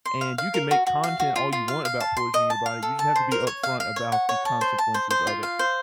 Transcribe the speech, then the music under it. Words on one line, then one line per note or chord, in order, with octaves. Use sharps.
and you can make content all you want about poisoning your body, you just have to be upfront about the consequences of it,
C6
F5
F5
A#4
F#4
F#4
F5
F#4
F4
F4
F5
F5
A5
C6
D#5
A5
F5
A4
A5
C5
A#4
C#5
F5
F5
C#5
F#5
C#5
A5
C5
A5
C5
C5
F4
F5
C5